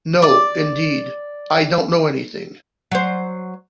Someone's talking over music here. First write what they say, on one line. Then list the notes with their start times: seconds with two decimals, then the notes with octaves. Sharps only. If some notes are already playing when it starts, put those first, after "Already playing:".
No, indeed; I don't know anything.
0.22 D5 D6
2.92 F#3 C5